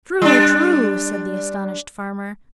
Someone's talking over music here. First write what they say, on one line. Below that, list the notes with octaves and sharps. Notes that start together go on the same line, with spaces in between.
"True, true!" said the astonished farmer.
G3 D4